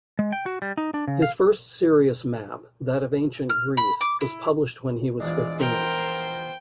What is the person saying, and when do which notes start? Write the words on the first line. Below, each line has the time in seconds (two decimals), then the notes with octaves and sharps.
His first serious map, that of Ancient Greece, was published when he was fifteen.
0.19 G#3
0.32 G5
0.46 F#4
0.62 G3
0.77 D#4
0.94 D4
1.08 C#3
1.22 F5
3.49 F6
3.77 B5
4.01 D6
4.21 E4
5.20 A#1 E2 G#3 D5
5.60 B3 F4 A#4 C5 G5